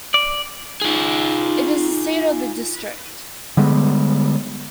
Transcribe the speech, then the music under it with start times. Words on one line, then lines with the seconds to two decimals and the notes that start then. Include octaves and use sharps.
It is the seat of the district.
0.14 D5
0.82 D#4 F4 G#4
3.57 D3 G3 G#3 B3